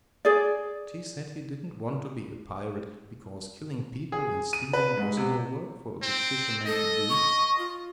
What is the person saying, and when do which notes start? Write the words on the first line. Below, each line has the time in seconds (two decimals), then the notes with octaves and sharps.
But he said he didn't want to be a pirate, because killing people and stealing was no work for a good fisherman to do.
0.25 G#4 D5
4.12 G#4
4.53 D#7
4.73 B4
4.97 G#2
5.17 C3
6.03 C4
6.67 A4 D#5
7.09 C#6
7.58 F4